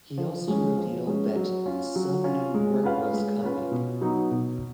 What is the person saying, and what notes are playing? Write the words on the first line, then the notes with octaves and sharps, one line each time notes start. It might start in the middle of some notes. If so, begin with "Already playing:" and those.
He also revealed that "some new work was coming".
F3
G#3 C#4
F3
G#3 C#4
F#3
C#4 F4
F#3
C#4 F4
G#3
C#4 F4 B4 F5
G#3
C#4 F4 B4 F5
B2
F#3 B3 D#4
B2